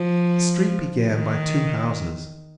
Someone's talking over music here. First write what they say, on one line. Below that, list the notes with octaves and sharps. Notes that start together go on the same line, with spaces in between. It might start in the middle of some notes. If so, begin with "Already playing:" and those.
The street began by two houses.
Already playing: F3
D#3